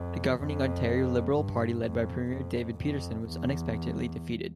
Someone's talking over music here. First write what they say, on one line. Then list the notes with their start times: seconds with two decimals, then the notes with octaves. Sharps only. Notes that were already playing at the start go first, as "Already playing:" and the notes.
The governing Ontario Liberal Party led by Premier David Peterson was unexpectedly defeated.
Already playing: F2
0.37 F2
1.34 G2
1.83 F2
2.31 F2
2.80 F2
3.29 E2